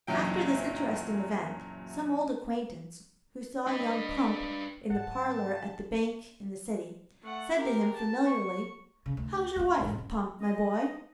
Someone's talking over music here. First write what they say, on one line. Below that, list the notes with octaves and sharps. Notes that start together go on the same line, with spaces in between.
After this interesting event, some old acquaintance, who saw young Pump in the parlour at the bank in the City, said to him, familiarly, 'How's your wife, Pump, my boy?'
F#1 A#2 E3 F#3 G5
D4 B4 D#5
G#2 F#3 F#5 A5
A3 F#5
G4 A#4
A5
C#6
C#3
D2
D#2 E4
F2 G#2
F#2
D#5